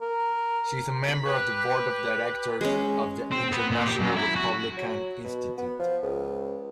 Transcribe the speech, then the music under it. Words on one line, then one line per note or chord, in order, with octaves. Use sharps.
She is a member of the board of directors of the International Republican Institute.
A#4
B5
G4 B4
G#3 C#4
C4
B3
A#2
G4
F#2
E4
F#4
F#3
B2
B3
F3
C#2